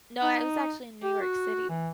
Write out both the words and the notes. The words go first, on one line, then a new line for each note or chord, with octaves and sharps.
No, I was actually in New York City.
D#4
G4
F#4
E3